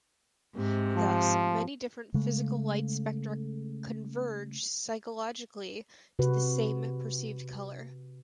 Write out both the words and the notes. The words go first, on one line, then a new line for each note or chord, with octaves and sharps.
Thus, many different physical light spectra converge psychologically to the same perceived color.
G#2 C3
F3
C#3 G#3 A3
C3 F#4 B4